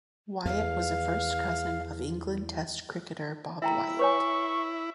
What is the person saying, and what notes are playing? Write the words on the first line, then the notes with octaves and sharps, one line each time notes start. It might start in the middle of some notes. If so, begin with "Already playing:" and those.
Wyatt was a first cousin of England Test cricketer Bob Wyatt.
E2 F5
E4 E5 G5 A#5
B4 C#5 G#5 C#6